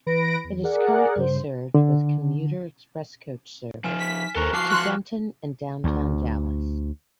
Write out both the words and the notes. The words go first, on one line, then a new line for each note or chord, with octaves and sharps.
It is currently served with Commuter Express coach service to Denton and downtown Dallas.
E3 B4 B5 A#6 D7
E2
G#4 A#4 D5 F#5
G2 C#3 C5
D3
F3 D#4 G#5 F6 E7
B6
D#2 A4 A#4 C5 C#6 F#6 E7
F3 F#4 A5 D6 F6 F#6 C7
C6 C#6 F6 F#6 A#6
D2